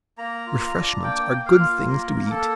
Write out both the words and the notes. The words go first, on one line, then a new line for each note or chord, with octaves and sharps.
"Refreshments are good things to eat!"
A#3 A#5
F4
A#5
D4
A#3 G5
A#3
F5
F4
A#3 A#4
A#3
A4